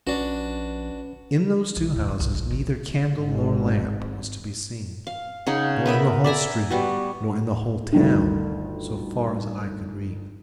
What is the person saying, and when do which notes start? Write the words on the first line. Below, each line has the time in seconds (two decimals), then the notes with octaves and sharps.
In those two houses neither candle nor lamp was to be seen; nor in the whole street; nor in the whole town, so far as eye could reach.
0.07 A#1 C#4 D4 F#4 B4
1.76 B1
1.96 D#2
2.09 D#4
2.20 B1
2.35 B1
2.51 A1
3.13 G#1 G#2
5.07 F5
5.47 C#3 D#4 F#5
5.86 B3 A#4 E5 B5
6.24 D5 E5 G#5 A#5
6.70 G3 B3 F#4
7.93 G1 D2 D#3